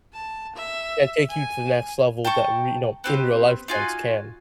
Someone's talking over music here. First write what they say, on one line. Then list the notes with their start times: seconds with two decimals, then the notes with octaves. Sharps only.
can't take you to the next level that, re no, in real life friends can,
0.13 A5
0.55 E5
1.30 G#5
2.25 G5 A5 A#5 C#6
3.04 B3 C4 G4
3.68 D#4 F4 F#4 G#5